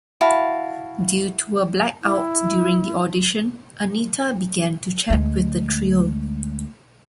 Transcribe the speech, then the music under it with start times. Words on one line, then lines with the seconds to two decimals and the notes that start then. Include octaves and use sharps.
Due to a black-out during the audition, Anita began to chat with the trio.
0.21 E4 F#4 F5 A5
2.03 E4
5.10 D2 G#3